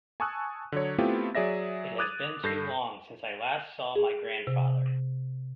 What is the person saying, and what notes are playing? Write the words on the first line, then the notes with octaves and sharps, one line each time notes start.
It has been too long since I last saw my grandfather.
G#5 A5 C#6 D#6 E6 F#6
D3 F#3 C#5
A3 B3 C4 E4 F4 G4
F#3 G#4 D5 E5 A#6
D6 D#6 F#6 G#6 A6 D#7
G2 A4 G6 A#6 C7
G#4
C3